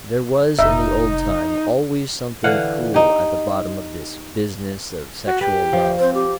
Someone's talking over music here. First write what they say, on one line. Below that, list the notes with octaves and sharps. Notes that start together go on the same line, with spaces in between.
There was in the old time always something cruel at the bottom of this business of sexual love.
F1 C3 D#4 E5
D3 E3 F5 F#5
D#4 G4
F#4
G4 B4
F3
C4 C5
G4